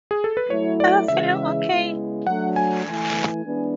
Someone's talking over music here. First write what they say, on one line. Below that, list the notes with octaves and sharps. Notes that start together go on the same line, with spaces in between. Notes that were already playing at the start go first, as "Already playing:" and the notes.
I'm feeling okay.
G#4
A4
B4
F#3 A3 E4 C#5
D5
C#3 E3 G#3 E5
C#3 G#3 B3 E4
F#3 A3 D4 F#5
G#5
E3 A3 E4
E3 G#3 B3 D4